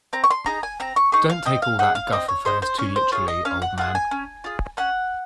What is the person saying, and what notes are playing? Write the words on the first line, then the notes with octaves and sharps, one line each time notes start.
Don't take all that guff of hers too literally, old man.
C4 A#5
C#6
C6
D#4 G#4 A#5
G#5
C4 A#5
C#6
D#4 G#4 C#6
F5
C4 D#5
F5
D#4 G#4 F#5
F5
C4 D#5
C#5
D#4 G#4 C5
C5
C#4 C#5
C5
F4 G#4 C#5
D#5
C#4 F5
F#5
F4 G#4 F#5
G#5
C#4
F4 G#4
C#4 F#5